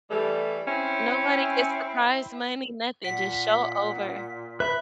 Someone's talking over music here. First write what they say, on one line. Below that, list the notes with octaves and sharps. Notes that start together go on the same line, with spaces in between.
Nobody gets the prize money, nothing, just show over.
E3 G3 A3
C4 C#4 E4
A#2 F#5 B6
B4 E5 B5